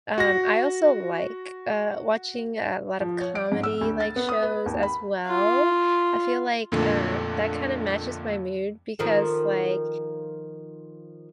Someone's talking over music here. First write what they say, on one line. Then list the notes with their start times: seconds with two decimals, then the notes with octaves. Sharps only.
um, I also like, uh, watching a lot of comedy, like, shows as well, I feel like, uh, that kinda matches my mood because, like,
0.18 F#4 A#6
3.00 F3
3.21 C#5
3.35 D7
3.52 G#2
3.63 E6
3.81 D2
4.00 A6
4.16 B3
4.29 D#6
4.43 B4
4.66 D#2
4.83 B5
5.27 F4
6.72 F2 A#2 D3 A3
8.99 D#3 F3 A4